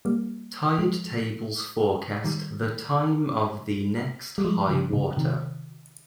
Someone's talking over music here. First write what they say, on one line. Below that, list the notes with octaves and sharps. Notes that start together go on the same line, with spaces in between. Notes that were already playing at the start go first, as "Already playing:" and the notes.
Tide tables forecast the time of the next high water.
G3 A#3
F3 G#3
D#3 G3
G3
F3 G#3
C#3 F3
A#2 C#3
C3 D#3